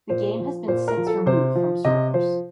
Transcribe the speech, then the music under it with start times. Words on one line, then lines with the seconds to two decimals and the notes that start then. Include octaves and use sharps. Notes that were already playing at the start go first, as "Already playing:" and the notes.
The game has been since removed from servers.
0.09 A#2 C5
0.39 F3
0.68 A#2 C5
0.88 A#4
0.97 F3
1.07 A4
1.26 C3 C5
1.55 F3
1.85 C3 D#5
2.14 F3 C5